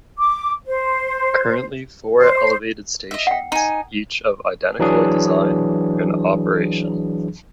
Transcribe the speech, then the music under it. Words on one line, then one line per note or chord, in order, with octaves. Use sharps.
Currently four elevated stations, each of identical design, are in operation.
D6
C5
C5
D#5 E5
F#5 G5
D#4 G#5
E3 F#3 D4 G#4